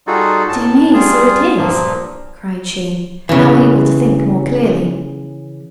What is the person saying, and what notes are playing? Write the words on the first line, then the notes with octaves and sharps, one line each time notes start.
"Dear me; so it is!" cried she, now able to think more clearly.
G3 D#4 F4 F#4 G#4 A4
A2 A5
G3 F4 G#4
G2 A#2 F3 A#3
C#3 E3